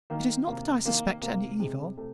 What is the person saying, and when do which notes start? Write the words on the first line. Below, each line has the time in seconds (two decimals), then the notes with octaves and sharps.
It is not that I suspect any evil.
0.10 D#3 A#3
0.47 C3 A#3
0.85 D#3 A#3
1.22 C3 A#3
1.60 C3 G#3
1.98 C3 A3